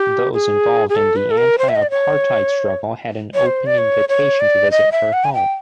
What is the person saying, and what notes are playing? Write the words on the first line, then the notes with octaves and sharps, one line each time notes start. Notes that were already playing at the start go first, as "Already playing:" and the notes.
Those involved in the anti-apartheid struggle had an open invitation to visit her home.
Already playing: G4
G#4
G#4
A4
B4
A4
A#4
C5
E5
D#5
D5
C#5
C#5
C5
D5
C#5
C#5
D5
D#5
E5
F#5
G#5
G5